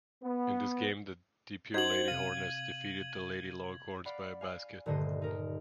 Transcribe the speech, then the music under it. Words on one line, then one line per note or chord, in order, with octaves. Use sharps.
In this game the Depew Lady Hornets defeated the Lady Longhorns by a basket.
B3
D#4 F#4 C5 G#6 F#7
C3 F5 D#7
D5 F5 F#5 B5
F5 G#5
D#1 G2 D3 A3 C5 D#5
D#4 A#4